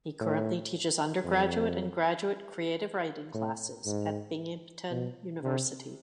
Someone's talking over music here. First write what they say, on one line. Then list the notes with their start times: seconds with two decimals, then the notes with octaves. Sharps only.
He currently teaches undergraduate and graduate creative writing classes at Binghamton University.
0.20 A2
1.24 F2
3.34 A2
3.86 G#2
4.91 B2
5.43 C3